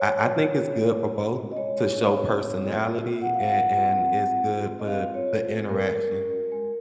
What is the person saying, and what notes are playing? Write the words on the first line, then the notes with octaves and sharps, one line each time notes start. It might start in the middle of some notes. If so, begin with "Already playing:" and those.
I I think it's good for both to show personality, and and it's good for the interaction,
Already playing: C#5
F#3
C#4
F4
G#3
G#3
C#4
F#4
D#5
G#3 C#5
G#3
C#4
F#4
C4
F4
F4
C4
C4 F#5
F5
F4 F#5
F4
C4
C4
F4
F4
C4
D#5
C4 F5
F4
C#5
F4
C5
C4
G#3 A#4
G#3
C#4
F#4
G#3